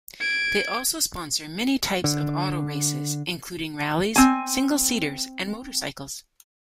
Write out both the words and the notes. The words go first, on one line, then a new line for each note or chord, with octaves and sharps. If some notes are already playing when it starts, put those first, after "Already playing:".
They also sponsor many types of auto races including rallies, single-seaters, and motorcycles.
G#6 D7
D3
C4 G#5